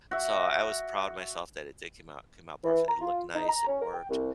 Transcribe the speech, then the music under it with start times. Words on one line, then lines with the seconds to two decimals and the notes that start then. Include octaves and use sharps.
So, I was proud of myself that it did came out came out perfect. It looked nice, it worked.
0.11 F#4 E5
2.63 E3
2.88 A#5
3.02 F4
3.34 D#4
3.48 A#5
3.67 C#4
3.81 A#4
3.93 G5
4.08 C2